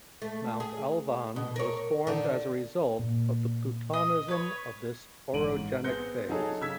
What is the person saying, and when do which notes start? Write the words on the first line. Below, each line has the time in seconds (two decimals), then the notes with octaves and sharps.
Mount Alvand was formed as a result of the plutonism of this orogenic phase.
0.22 A3
0.60 G#4
1.36 B2
1.56 A#4 C#5
2.07 D3 D#3
2.99 A#2
3.93 D#5
4.28 B4 C#5
5.33 A1 G#2 D7 D#7 F#7
5.84 B3 C4 G#4 G6 A#6 C#7
6.29 F#3 D#4 G#4 A4 C#5
6.61 C#3 E6 G#6 B6